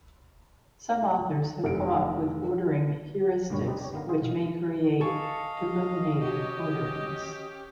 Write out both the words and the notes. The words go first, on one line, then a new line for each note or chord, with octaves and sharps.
Some authors have come up with ordering heuristics which may create illuminating orderings.
F1 D7
D2 G2 A#2 G3 B4 C#5
C4 D4 D#4 G4 B4
G4 C#5
D3 D#3 B3 F5 A#5
G#4 C5 F5
B2 F5
A4 D#5 F5 G#5 A5 C#6
C#4 F#4 G4